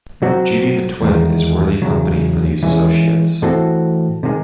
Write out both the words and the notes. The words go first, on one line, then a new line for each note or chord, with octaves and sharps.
Judy the twin is worthy company for these associates.
C3 F#3 C4 F#4
E2 D#3 G#3
E2 C#3 F#3
E3 G#3 C#4
A2 E3 C4 F#4 A4
C3 D#3 G#3